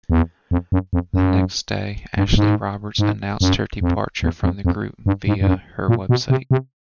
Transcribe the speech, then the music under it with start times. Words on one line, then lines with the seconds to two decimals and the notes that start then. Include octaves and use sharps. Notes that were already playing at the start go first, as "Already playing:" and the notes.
The next day, Ashley Roberts announced her departure from the group via her website.
0.10 E2
0.51 F2
0.72 F#2
0.93 F2
1.14 F#2
2.17 G2
2.36 G#2
2.98 G#2
3.41 F#2
3.81 F2
4.23 E2
4.43 F2
4.65 F2
5.06 G2
5.27 G#2
5.41 G2
5.47 F#2
5.88 A#2
6.09 B2
6.30 C3
6.51 C3